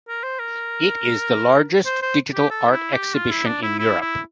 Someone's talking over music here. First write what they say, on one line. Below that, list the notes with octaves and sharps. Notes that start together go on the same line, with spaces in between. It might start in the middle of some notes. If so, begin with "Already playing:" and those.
It is the largest digital art exhibition in Europe.
A#4
C5
A#4
C5
C5
G4
A4
E4
G4
F4
E4
D4
E4
E4
E4